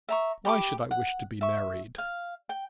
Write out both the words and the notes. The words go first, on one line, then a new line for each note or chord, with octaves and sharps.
'Why should I wish to be married?
E5 A#5 C#6
G4 B5 C#6 D6
F#5
E5 C#6
F5
G5